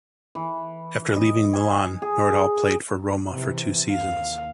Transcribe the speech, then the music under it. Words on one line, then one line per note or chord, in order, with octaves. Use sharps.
After leaving Milan, Nordahl played for Roma for two seasons.
E3
D#5
G#5
G#4
C3 E3
D#2 F5